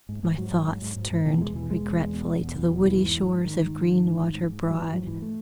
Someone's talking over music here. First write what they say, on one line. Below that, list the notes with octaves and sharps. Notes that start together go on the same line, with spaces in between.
My thoughts turned regretfully to the woody shores of Greenwater Broad.
G#2
G#2
G#2 F#3
G#2
G#2
G#2
G#2
G#2
B2 E3
E2 G#3
B2 E3
E2 G#3
B2
E2
B2
E2
B2
E2 E3
B2 F#3
E2 E3
G#2
G#2
G#2
G#2 D#3
G#2
G#2
G#2
G#2
G#2
G#2
G#2
G#2
F#3
G#2 E3
G#2 F#3
G#2 E3
A3